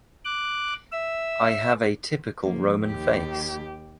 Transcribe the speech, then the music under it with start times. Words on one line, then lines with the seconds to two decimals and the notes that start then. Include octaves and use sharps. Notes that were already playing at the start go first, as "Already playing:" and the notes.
I have a typical Roman face.
0.25 D6 F#6
0.92 E5 E6
2.42 F3 A#3
2.82 D#2 G4